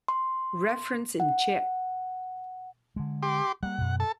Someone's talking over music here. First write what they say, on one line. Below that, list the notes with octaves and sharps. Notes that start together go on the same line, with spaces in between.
Reference in Czech.
C6
F#5
D3 G#3
G4 C6 D6
G3 A#3 F#5
F#2 B2
A4 A5